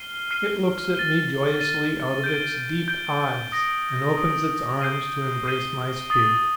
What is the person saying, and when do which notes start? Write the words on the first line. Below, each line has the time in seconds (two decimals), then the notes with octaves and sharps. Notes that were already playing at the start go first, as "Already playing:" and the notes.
It looks at me joyously out of its deep eyes and opens its arms to embrace my spirit.
Already playing: F6 C7 D#7 G7
0.31 F6 C7 D#7 G7
0.95 A6 D#7 G7
1.59 A6 D#7 G7
2.24 G6 D7 G7
2.88 G6 D7 G7
3.52 D#6 A#6 D7
4.17 D#6 A#6 D7
4.81 G6 C7 D#7 G7
5.46 G6 C7 D#7 G7
6.10 D#6 A6 C7